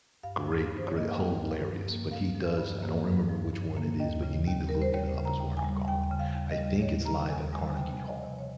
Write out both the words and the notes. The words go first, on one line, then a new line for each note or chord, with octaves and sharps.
great gre hilarious, but he does I don't remember which one it is, but you need to look it up is where I'm going. I think it's Live at Carnegie Hall.
G2 F5
F3
G2
C5
C#5
A#3 D#5
F5
G2 G5
F3
G2
A#3
G2 F5
F3
G2
A#3
G2
F3
G2
A#3
D#2 D#5
C#3
D#2
G3 A#4
C5
D#2 C#5
C#3
A#5
D#2
G#5
G3
D#2 G5
C#3
F5
D#2
D#5
G3
D#2 C#5
C#3 A#5
D#2 G#5
G3 G#5
G#5
C3 G5
F3
D#5
C3
C#5